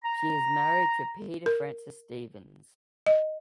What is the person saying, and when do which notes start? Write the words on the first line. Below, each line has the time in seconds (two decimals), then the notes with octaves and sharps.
She is married to Peter Francis Stevens.
0.04 A#5
1.46 A#4
3.07 D#5